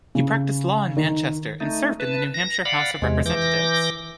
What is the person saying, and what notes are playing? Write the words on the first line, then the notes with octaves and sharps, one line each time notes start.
He practiced law in Manchester and served in the New Hampshire House of Representatives.
C#3
D#3
A3 D#4
B4 A5
A#6
D5 F5 F#5 B5
E2 C3 G#3
E3 D6 G6 A#6